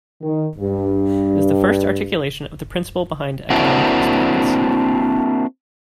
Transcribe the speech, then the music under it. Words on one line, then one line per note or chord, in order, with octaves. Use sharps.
It was the first articulation of the principle behind economic experiments.
D#3
G2
A#3 C4 D4 E4 F#4